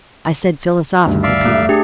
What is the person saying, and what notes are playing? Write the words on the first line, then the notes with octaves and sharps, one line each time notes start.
"I said 'philosophical,' Peter."
D2 G2 D#3
D5 E5 F5
A3
D4 G4 G#4